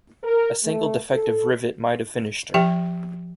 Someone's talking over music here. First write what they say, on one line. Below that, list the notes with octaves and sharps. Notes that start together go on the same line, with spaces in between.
A single defective rivet might have finished her.
A#4
A3
A4
F3 G4 E5 G5